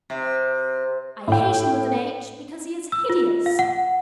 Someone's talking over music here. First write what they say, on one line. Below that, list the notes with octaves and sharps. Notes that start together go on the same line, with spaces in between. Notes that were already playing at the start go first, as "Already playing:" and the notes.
I hate him with an H, because he is Hideous.
C3
A2 G5
E6
F4
F5
F#5